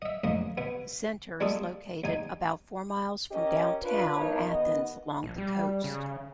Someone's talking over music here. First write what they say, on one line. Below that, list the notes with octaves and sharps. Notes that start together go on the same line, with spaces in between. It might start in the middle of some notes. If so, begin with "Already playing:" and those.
The center is located about four miles from downtown Athens along the coast.
D#5 E5
B1 F#2 A2 A#3 D#5
B2 B3
G3 G#3 A#3 F4 A4 D#6
D#2 D#4 G#5
C#4 G4 A#4 C#5 D#5
D4 F4 B4
E2 G2 D#4 A#4 C#5
D#2 D#3 B3 D#5
A#1
G3
C#3